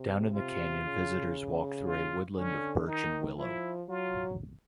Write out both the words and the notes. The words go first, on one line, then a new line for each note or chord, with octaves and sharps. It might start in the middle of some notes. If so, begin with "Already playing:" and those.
Down in the canyon, visitors walk through a woodland of birch and willow.
Already playing: C3
C3 F4
C#3
F4
D3 C#4
D#3 D#4
F3 E4
F#3 F4